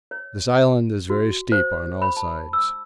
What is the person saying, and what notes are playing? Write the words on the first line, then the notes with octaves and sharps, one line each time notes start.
This Island is very steep on all sides.
C#5
F#4
C5
B5
A5
E6